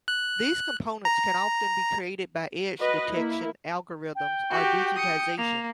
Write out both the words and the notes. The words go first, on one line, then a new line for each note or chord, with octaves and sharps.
These components can often be created by edge detection algorithms or digitisation.
F#6
A#5
F#4 B4 D#5
A#3 E4
G5
F#4 G4
D#6 C#7
A#3 F7